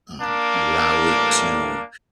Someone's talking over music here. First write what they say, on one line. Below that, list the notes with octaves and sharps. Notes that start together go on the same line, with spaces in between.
uh, allow it to,
A#3 D4
A2 E3 G3